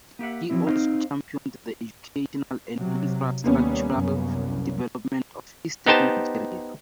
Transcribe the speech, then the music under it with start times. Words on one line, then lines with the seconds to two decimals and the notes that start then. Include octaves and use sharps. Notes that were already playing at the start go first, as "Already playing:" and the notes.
He also championed the educational and infrastructural development of Eastern Nigeria.
0.19 A#3 G4 E5 F#5
0.50 F3 F#3 G#3 C4 E4
0.67 C4 D#4 C5 D#5 F5
2.76 C3 F#3
3.44 D#2 G3 A#3 B3 C#4
3.94 C2 F#2
5.86 B3 D#4 G4 C5 A5